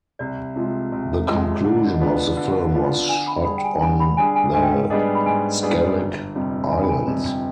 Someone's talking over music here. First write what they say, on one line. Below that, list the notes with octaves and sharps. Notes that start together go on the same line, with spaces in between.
The conclusion of the film was shot on the Skellig Islands.
C2 D5
C3 F3 G#3
C2
C3 F3 G#3
D3 F5
D#5
D5
D#5
F3 B3 D4
D3
F3 B3 D4
D3 G#5
B5
G3 D4 G#4 B5
G5
G#5
D3 G#5
B5
G3 D4 G#4 G#5
G#5
G#2 G#5
G5
F5
G3 B3 D4 G#4 D#5
B5
G#2 G#5
G3 B3 D4 G#4
G1
F2 C3 G3
G1 G#5
B5
G#5
F2 C3 G3 B4
D5